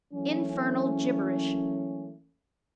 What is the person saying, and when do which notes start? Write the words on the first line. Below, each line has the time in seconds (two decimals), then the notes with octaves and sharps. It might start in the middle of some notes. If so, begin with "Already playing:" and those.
Infernal gibberish!
0.13 E3 F#3 A3 A#3 C#4